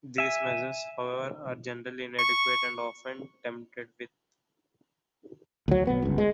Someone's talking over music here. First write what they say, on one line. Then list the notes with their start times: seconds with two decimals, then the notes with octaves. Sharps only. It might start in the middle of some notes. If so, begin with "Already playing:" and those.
These measures, however, are generally inadequate and often tampered with.
0.18 E5 G#5
2.18 C#6
5.68 D2 F#3
5.87 B1 B3
6.03 G1 C#2
6.18 G#3